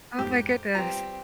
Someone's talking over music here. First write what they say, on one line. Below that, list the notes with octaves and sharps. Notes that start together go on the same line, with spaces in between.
Oh my goodness.
F2 G#2 G4
G3 B3 C4 F4 G4 A#5